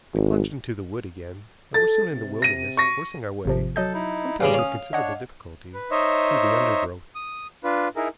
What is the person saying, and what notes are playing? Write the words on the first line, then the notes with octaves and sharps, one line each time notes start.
We plunged into the wood again, and were soon in the wilderness, forcing our way, sometimes with considerable difficulty, through the undergrowth.
G#1
A4 A6
C3
A#6 D#7
C#6 A#6
G#1 C3 F3
F#3 A4 D#5 G6
D#4 E4
A1 C#3 G3 C#4 G#4 F5
C#5 F5 D#6
D4 C#5 D#5 F#5
B4
D#4 C5 C#5 D#5 E5
D#6
D4 F4 B4
D#4 E4 G#4 A#4